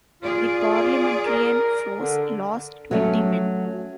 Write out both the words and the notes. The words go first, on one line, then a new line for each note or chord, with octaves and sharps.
The Parliamentarian force lost twenty men.
F4 G#4 D5
A#4
D3
F#3 A3 C#4